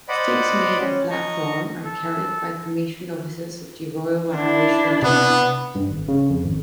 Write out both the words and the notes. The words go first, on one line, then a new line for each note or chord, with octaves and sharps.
Sticks made of Blackthorn are carried by commissioned officers of the Royal Irish Regiment.
C5 D5 D#5 F#5 G5 B5
C#4
D#5 A#5 C#6
A4
D4 E4
C3 B3
G2
G#1
C#3
F2
G#1